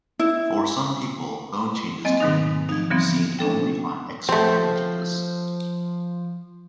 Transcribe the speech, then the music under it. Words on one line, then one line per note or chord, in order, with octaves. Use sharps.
For some people, bone changes can be seen only on X-ray images.
E4
F#3 A#3 C4 D#5 G#5
G#2 B2 D#3 G3 D#4
F3 D#4
D3 E3 F3 G3 B3 C4
C#4 D4 A4 G5
F3 A3 C4 C5